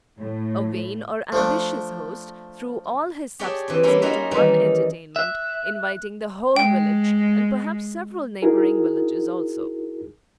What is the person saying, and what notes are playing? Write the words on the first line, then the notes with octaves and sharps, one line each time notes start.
A vain or ambitious host threw all his substance into one entertainment, inviting the whole village, and perhaps several neighboring villages also.
A2
F3 A3 D4
G4 G#4 C#5 D5 G5 A5
E3 C4
G3 A#3 C#4 E4 C6
C#4 D#4 F4 F#4 G#4 E5
D#3 E3 G3 A#3 D#4
E5 F#6
G#3 G5
D#4 E4 F#4 G#4 A#4